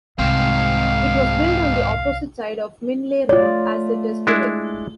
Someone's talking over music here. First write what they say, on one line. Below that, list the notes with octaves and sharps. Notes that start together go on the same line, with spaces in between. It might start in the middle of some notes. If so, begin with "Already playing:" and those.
It was built on the opposite side of Minley Road as it is today.
C2 G#2 C4 F5
A3 F4 C#5 D5
G#3 D4 E4